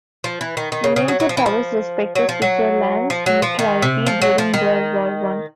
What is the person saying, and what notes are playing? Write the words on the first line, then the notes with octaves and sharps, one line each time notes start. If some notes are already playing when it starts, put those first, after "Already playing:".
The major powers respected Switzerland's neutrality during World War One.
F3
E3
D#3
D#3
C#3
C#3
F#3
F#3
F3
E3
F3
F#3
F3
F#3
F3
F#3
F3
D#3
C3
F3
F#3
F3
D#3